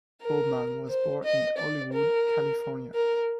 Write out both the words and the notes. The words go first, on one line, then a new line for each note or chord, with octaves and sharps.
Bowman was born in Hollywood, California.
A#4
C5
D#5
D5
A#4
A#4